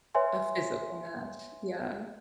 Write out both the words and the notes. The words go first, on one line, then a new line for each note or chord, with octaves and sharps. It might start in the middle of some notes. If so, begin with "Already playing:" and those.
a physical match, yeah.
B4 C#5 E5 G#5 C6